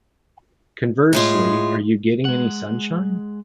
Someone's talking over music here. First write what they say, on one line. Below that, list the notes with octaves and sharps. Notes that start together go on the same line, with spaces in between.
Conversely, Are You Getting Any Sunshine?
A2 G#3 F4
G#3 F#5